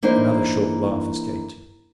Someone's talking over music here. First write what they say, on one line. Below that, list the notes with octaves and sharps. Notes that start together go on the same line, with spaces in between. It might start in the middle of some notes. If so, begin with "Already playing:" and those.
Another short laugh escaped him.
E3 A#3 D4 D#4 C5